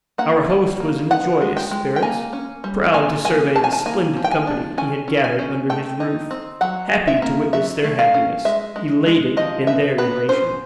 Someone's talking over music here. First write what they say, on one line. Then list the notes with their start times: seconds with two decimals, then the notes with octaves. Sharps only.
Our host was in joyous spirits; proud to survey the splendid company he had gathered under his roof; happy to witness their happiness; elated in their elation.
0.18 A#3 F#5
0.50 G3
0.80 A#3
1.11 B3 F#5
1.41 G#3
1.57 G5
1.71 G#3
1.96 G5
2.02 A#3 G#5
2.33 C#4
2.64 G3
2.94 A#3 G#5
3.25 A#3 G#5
3.55 D#3 A5
3.64 G#5
3.73 A5
3.86 A#3 G#5
4.17 F3
4.24 G5
4.31 G#5
4.47 D4
4.78 C#4 G#5
5.08 C#4
5.24 G#5
5.39 C#4
5.70 A3 G5
6.00 D#4
6.31 C4
6.61 F#3 F#5
6.92 F#3
7.07 E5
7.22 A#3
7.53 F#3 E5
7.84 A3
7.99 F5
8.14 C#4
8.45 G#3 E5
8.76 G#3
9.06 G#3
9.37 F3 D#5
9.67 B3 E5
9.98 B3 B4
10.29 C#4 C5